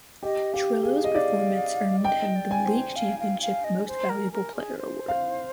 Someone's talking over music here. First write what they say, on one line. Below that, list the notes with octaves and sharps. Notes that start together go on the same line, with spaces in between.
Trillo's performance earned him the League Championship Series Most Valuable Player Award.
G4 D#5
G4 F5
G#4 F5
D#5
D5 F5
D#5 G5
D5
G#5
C5
F5
F5
F5
D#5
C5
A#4
A#4
G#4
C5
F5